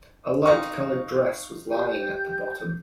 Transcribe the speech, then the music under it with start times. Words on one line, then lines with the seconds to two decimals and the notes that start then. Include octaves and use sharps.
A light-coloured dress was lying at the bottom.
0.46 C4 D#4 F5 C#6
1.71 G4 G6